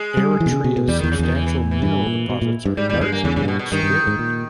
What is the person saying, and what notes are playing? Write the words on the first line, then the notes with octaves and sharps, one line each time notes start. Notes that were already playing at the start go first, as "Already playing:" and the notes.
Eritrea's substantial mineral deposits are largely unexplored.
Already playing: G#3
G3
E3
B2
C#3
B2
B2
E2 G3
D#3
E2
C#3
E2 D#3
E3
E3
E3
G2 E3
A#2
B2
A#2
G2
G#2 G3
G3
E2
G2 G#3
A#3
E2 C#3
G#2 C#3
G2
B2
B2
G2 D#3
G2
G#2
A#2